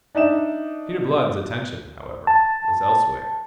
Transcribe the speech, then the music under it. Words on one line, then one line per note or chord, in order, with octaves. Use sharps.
Peter Blood's attention, however, was elsewhere.
D4 D#4 E5 E7
A5